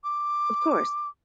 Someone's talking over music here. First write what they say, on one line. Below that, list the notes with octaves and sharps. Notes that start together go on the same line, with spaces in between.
Of course.
D6